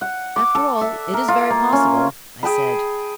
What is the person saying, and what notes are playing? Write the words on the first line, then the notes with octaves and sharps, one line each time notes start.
"After all it is very possible," I said.
F#5
D6
A4
E5
A#4
F4
A#3
C#4
G#4 G5 A5 B5